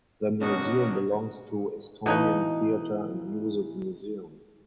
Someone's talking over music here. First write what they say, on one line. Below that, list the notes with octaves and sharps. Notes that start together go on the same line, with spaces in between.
The museum belongs to Estonian Theatre and Music Museum.
D#2 B2 C#4 D4 F#4 A#4 D#5 D#6
B2 E3 D#4 C#5 F5 F#6